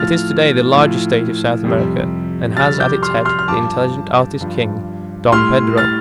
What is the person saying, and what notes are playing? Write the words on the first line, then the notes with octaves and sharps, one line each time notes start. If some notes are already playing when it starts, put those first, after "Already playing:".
It is to-day the largest state of South America, and has at its head the intelligent artist-king Dom Pedro.
Already playing: A2 F3 F6 A6
A2 F3
F2 C3 G3
F2 C3 G3 F6 A6
D6 G6
C6 F6
C6 F6
F6
G2 F3 A5 D6
G2 F3
A2 G3 C6 F6
F6 A6